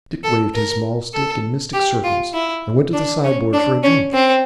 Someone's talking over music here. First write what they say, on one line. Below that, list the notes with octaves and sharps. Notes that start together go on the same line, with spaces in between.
Dick waved his mahl-stick in mystic circles and went to the sideboard for a drink.
A4
A#4
A4
G4
F4
E4
D4
C#4
D4
C#4
C4